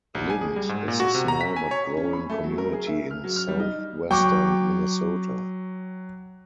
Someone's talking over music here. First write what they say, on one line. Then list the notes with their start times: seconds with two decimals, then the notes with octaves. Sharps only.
Lynd is a small but growing community in southwestern Minnesota.
0.15 A#1
0.30 G#5
0.41 G#4
0.56 G3
0.69 G#2
0.88 A#2
1.00 F#4
1.15 C3
1.28 A#5
1.41 B6
1.56 G#5
1.71 C#5
1.97 C#4
2.13 B5
2.30 A3
2.44 F#3
2.58 A#4
2.73 G#4
2.87 E5
3.11 F6
3.24 F#3
3.36 F6
3.48 G3
3.60 D#4
4.11 F#3 G5 C#6 D6